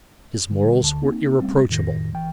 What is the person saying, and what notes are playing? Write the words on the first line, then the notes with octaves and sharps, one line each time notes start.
His morals were irreproachable.
D3 G3
D2 D3 A5
A#3 C4 D#4
G3 A3 C4 C#4
F2 A2 D#3 A#6
G#1 E3 G5